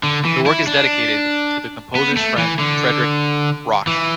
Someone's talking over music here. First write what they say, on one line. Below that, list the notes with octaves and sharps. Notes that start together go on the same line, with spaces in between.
The work is dedicated to the composer's friend Friedrich Rosch.
D3
E3
E4
D4
B3
A3
E3
D3
E3